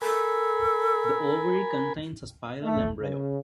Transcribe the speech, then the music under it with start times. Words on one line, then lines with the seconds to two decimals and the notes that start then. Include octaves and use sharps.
The ovary contains a spiral embryo.
0.02 A4 A#4 G#5 B5
2.63 A3
3.01 C#3